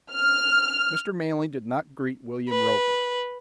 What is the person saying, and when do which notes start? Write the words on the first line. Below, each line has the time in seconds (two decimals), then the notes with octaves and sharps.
Mr. Manley did not greet William Roper.
0.11 F6
2.49 B4